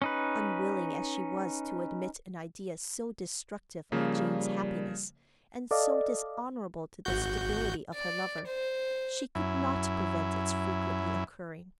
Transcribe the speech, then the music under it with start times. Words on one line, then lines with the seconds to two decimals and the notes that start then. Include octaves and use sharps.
Unwilling as she was to admit an idea so destructive of Jane's happiness, and so dishonorable to the stability of her lover, she could not prevent its frequently occurring.
0.02 C#4 D#4 B4
3.92 C#3 F3 G3 A#3
5.71 A4 D5 D#5 F5
7.05 G#1 F#4 G6
7.94 D5
8.47 C5
9.35 F#2 E4